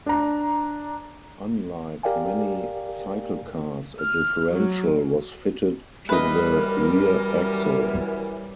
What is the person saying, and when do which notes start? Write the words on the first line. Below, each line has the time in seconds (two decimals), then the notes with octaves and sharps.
Unlike many cyclecars a differential was fitted to the rear axle.
0.06 D4 A#5
2.03 G4 A#4 D5 F5 G5 G#5
4.00 F6
4.51 F#3
6.09 F#2 E3 G3 A#4 B4 D#5